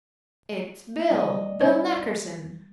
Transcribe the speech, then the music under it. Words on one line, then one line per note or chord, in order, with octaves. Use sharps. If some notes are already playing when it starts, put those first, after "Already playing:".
"It's Bill--Bill Nackerson!"
G3 D5 D#5
C#4 C5 C#5